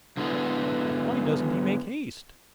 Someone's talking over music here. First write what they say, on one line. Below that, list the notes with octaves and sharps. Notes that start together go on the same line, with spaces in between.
'Why doesn't he make haste!'
D3 F#3 G#3 B3 E4 A4